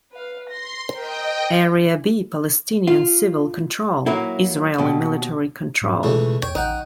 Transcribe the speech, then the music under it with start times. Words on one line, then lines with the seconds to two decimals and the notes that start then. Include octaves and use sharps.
Area B - Palestinian civil control, Israeli military control.
0.12 B4 F5
0.48 C6 A#6
0.93 A#4 C5 D#5 G5
2.87 F4
4.06 F#3 A#3 E4
4.78 D#2 B2
5.81 G#2
6.03 C#2 B2 E3 A3
6.42 E2 C#5 G5
6.55 A1 D#4 F#5 G5